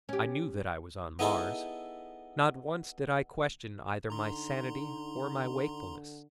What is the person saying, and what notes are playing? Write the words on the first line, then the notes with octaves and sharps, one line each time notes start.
I knew that I was on Mars; not once did I question either my sanity or my wakefulness.
C#4 G4
B3 D#4 E4 G#4 A4
D3 D#4 A#5 C6